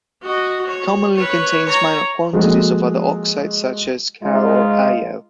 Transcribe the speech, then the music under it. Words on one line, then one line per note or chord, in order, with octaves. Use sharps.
It commonly contains minor quantities of other oxides such as CaO or AlO.
F#4 D#5
C#5
B4 C#5
C#5 A#5
F3 G#3 A#3 F4 F#4 A4
G#2 G#3 D#4 F4